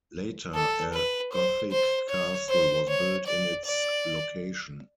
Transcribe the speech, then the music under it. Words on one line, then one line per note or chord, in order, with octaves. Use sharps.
Later a Gothic castle was built in its location.
A4
B4
C5
C5
C#5
C5
C#5
D5
D5